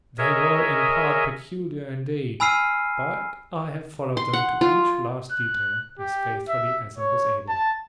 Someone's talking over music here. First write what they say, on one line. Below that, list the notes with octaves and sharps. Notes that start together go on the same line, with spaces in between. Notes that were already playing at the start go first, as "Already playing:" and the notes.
They were in part peculiar indeed, but I have followed them to each last detail as faithfully as I was able.
G#4 A#4 C#5 D#5 E5 G#5
G#5 B5 E6 F6 C7 D#7
C6
F#5
F4
F#6
G4
E5
C#5
A5